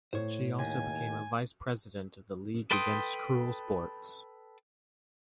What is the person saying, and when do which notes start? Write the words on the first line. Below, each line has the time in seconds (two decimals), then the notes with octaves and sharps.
She also became a vice-president of the League Against Cruel Sports.
0.13 A2 C5 C#5
0.59 D#2 G#5
2.71 A4 B4 G5 C6 D#6